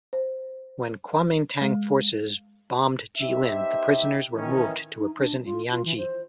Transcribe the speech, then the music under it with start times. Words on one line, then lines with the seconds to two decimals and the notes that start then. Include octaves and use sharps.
When Kuomingtang forces bombed Jilin, the prisoners were moved to a prison in Yanji.
0.13 C5
1.61 G#3
3.18 B3 D#4 G4 C5 E5
4.35 A2 D#3 E3 C#4
4.98 D#4
5.18 D4
5.45 F4
5.71 F4
5.85 E3
5.97 C5